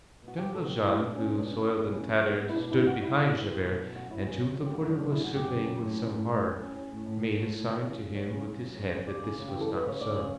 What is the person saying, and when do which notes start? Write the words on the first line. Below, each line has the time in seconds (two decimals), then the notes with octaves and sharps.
Jean Valjean, who, soiled and tattered, stood behind Javert, and whom the porter was surveying with some horror, made a sign to him with his head that this was not so.
0.22 B2
0.28 F#4
0.38 B2 G4
0.54 B2 A4
0.66 F#4
0.69 B2 G4
0.85 A3 E4
1.01 B2 D4
1.16 B2 C#4
1.31 B2
1.39 D4
1.47 C#4
1.63 A3 E4
1.78 B2
1.93 C#4
2.09 B2
2.24 B3
2.40 B3
2.49 E4
2.55 B2 D4
2.72 G3 E4
2.87 G3 F#4
3.02 G3 E4
3.18 B2
3.34 G3
3.49 G3
3.64 B2
3.80 B2
3.95 F#2 F#4
4.11 F#3 E4
4.26 C#3 C#4
4.42 F#2
4.57 F#2
4.66 G4
4.73 F#2 F#4
4.81 E4
4.88 F#3 D4
5.00 F#2 D4
5.12 E4
5.20 C#3 F#4
5.35 F#2 G4
5.51 C#3
5.66 F#2
5.82 A2
5.97 C#4
6.13 A2
6.28 A2
6.44 G3
6.60 C#4
6.75 C#4
6.91 A2
7.05 A2
7.21 A2
7.37 A2
7.53 A2
7.67 F#3
7.84 C#3
7.98 F#3
8.15 B3 C#5
8.31 C#3
8.45 C#3
8.61 F#3
8.77 C#3
8.92 C#3
9.07 C#3 D5
9.23 C#3
9.38 C#3
9.49 G4
9.54 E3
9.61 A4
9.69 G3
9.75 B4
9.85 C#3 C#5
10.01 C#3 D5
10.16 C#3 C#5